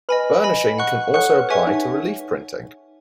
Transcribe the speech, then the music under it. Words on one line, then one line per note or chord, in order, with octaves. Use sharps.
Burnishing can also apply to relief printing.
B4 D#5 G#5 B5
D#5 G#5 B5
F#5 C#6 F#6
A4 C#5 F#5 C#6 F#6
B4
G#4 C#5 E5 G#5 C#6
D#4